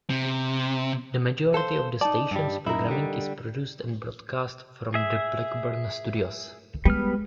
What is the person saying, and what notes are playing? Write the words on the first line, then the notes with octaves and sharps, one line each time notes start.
The majority of the station's programming is produced and broadcast from the Blackburn studios.
C3
A4 C5 F5
D#4 D5 A5
G2 G3
F#2 D#4 E4 A#4
D3 G3
G#4 E5
G3 G#3 B3 F6